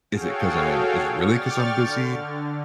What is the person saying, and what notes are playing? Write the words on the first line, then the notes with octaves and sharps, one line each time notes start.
is it 'cause I'm is it really 'cause I'm busy,
F#4 G#4 A4 C#5 F5 G5
D5 G5 C#6 F6 A6
D3